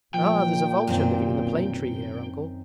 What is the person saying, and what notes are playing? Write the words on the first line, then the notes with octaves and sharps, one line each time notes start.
'Ah, there's a vulture living in the plane tree here, Uncle.
A#2 F3 G5
F#2 B2 D#3 C4